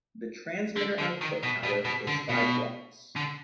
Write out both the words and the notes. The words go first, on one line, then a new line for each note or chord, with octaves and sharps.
The transmitter output power is five watts.
D3
D3
D#3
B2
B2
B2
D3
B2
D3